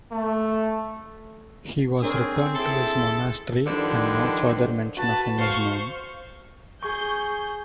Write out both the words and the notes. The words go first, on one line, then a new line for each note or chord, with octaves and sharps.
He was returned to his monastery, and no further mention of him is known.
A3
C4 D4 G#4 A#4 C#5
E4 G#4 A4
G2 D3 D#3 F3
F#4 B4 A5
C5 F5 C#6
G#4 C#6 G6